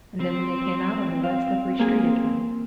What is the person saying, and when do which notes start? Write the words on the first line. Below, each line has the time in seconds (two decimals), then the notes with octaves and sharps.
And then they came out on the wet, slippery street again.
0.20 C4
1.23 F5
1.79 A#3 G#4